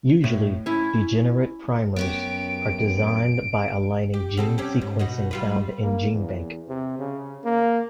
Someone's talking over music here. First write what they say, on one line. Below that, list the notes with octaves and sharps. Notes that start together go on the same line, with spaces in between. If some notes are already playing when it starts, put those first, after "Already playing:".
Usually, degenerate primers are designed by aligning gene sequencing found in GenBank.
A2
C#4 E4
F#2 B3 C#4 G4 D7
G4
B2 C4 A4
C4 C#4 G4
G#2
B2 D#4 F#4
G3 F4 B4
A#3
E2
C3
C#3
A#3